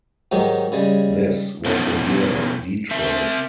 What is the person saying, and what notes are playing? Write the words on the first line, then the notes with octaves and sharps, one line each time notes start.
This was the year of Detroit.
G#2 D#3 F#3 G#3 G4
C#3 G3 G#3
B2 F3 B3 C#4 D#4 E4
C4 A#4 E5